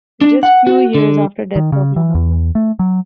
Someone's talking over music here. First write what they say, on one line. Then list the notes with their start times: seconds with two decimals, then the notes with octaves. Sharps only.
Just few years after death of Muhammad.
0.21 D4
0.43 F#5
0.67 F#4
0.95 D3
1.56 D#3
1.72 C#3
1.96 E3
2.15 E2
2.55 A3
2.79 F#3